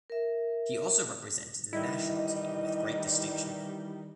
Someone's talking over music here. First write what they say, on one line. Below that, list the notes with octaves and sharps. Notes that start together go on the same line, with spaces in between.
He also represented the national team with great distinction.
A#4 E5
D#3 E3 G3 E4 D#5